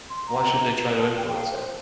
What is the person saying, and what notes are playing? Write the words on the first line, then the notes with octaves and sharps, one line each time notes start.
Why should they try to influence him?
C6
A#5
A5
G5
G5
F5
C5